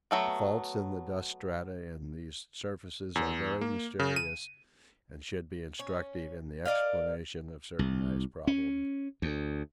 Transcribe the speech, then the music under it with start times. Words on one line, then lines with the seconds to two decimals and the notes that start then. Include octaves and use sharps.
The faults in the dust strata in these surfaces are very mysterious and should be instructive in the explanation of certain ice problems.
0.11 F#3 A3 B3
3.15 E2
3.61 A#3
3.99 C#3
4.16 D#7
5.79 C#4
6.65 A#4 D5 D#5 F5
7.79 C2
8.47 C#4
9.22 D2